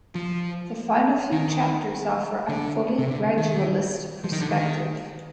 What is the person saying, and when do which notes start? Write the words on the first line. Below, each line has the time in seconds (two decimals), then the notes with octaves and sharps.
The final few chapters offer a fully gradualist perspective.
0.15 F3
1.32 D#3
2.49 D3
2.98 C3
3.07 D3
3.37 D#3
4.24 F3
4.32 D#3
4.41 D3
4.49 D#3